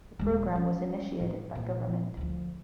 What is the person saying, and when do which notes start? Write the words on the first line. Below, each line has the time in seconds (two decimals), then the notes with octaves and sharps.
The programme was initiated by govt.
0.19 D#1 G#3
0.55 C#4
1.20 A2
1.55 A#2
2.17 D2 F3